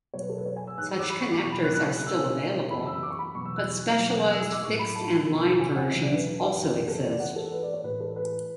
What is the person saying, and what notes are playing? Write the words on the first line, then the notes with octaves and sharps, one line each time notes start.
Such connectors are still available, but specialised fixed and line versions also exist.
B2 F#3 C#5
B4
A4
B4
C#5
G#5
E6
G#2 E3 G#3 F#6
E6
D6
B5
C#6
D6
E2 B2 F#3 C#6
B5
F#6
F#6
B2 G#3 E6
G#5
E5
F#2 E3 G#3 B5
E6
D6
C#6
B5
E2 B2 F#3 C#6
E6
F#6
E2 B2 F#3
E6
E6
D6
A2 F#3 C#6
B5
A5
E2 B2 G#3
G#5
F#5
E2 B2 F#3 E5
D5
B4
F#2 C#3 E3 G#3
A4
C#5
D5
G#2 E3 G#3 F#5
A4
B4
D5
C#5
A2 E3 G#3 B4
A4
B4